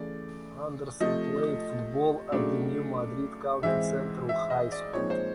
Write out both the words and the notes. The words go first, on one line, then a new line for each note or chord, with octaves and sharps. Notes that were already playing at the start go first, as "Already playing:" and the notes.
Anderson played football at New Madrid County Central High School.
Already playing: C#3 E3 A3 D5
C3 F3 A3 D#5
C#3 F#3 A3 D4
G#2 E3 G#3 C4 E5
E5
D#5
D5
A#2 F3 G#3 C4 D#4 C#5
C5